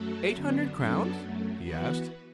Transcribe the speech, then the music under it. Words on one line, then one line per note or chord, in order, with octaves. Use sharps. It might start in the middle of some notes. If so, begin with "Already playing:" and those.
"Eight hundred crowns?" he asked.
Already playing: F#2 F#3 A3 F#4 A4
F#2 D3 B3 D4
F#2 F#3 B3 D4 A4
F#2 F#3 A3
E3 B3 F#4 B4